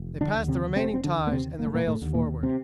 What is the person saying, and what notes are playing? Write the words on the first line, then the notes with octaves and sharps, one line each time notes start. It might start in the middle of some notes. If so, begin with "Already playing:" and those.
They passed the remaining ties and the rails forward.
Already playing: F1
D3 D4
D#2 D3
C3 C4
F1 C3 C4
C4
D3 D4
D#2 D3
A#3
C3 C4
F1 A#3
A3
A#2 A#3
A2 A3
D#2 D3
A#2 A#3
C3 C4